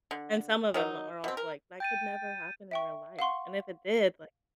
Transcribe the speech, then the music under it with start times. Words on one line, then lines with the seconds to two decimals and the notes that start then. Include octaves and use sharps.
And some of them are also like, "That could never happen in real life." And if it did, like,
0.11 D3
0.74 D#3 F#3 D#4
1.24 B2 C4
1.37 A#4
1.80 G5 G6 A6 D#7
2.71 E5 G5 C#6
3.19 F5 F#5 C6 C#6